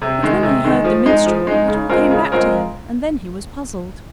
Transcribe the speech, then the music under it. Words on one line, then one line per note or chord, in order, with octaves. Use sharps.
But when he heard the minstrel it all came back to him; and then he was puzzled.
C3
D#3 G#3
C3
D#3 G#3
F3
G#3 D#4
F3
G#3 D#4
C#3
G#3 C4 F4 A#4
C#3
G#3 C4 F4 A#4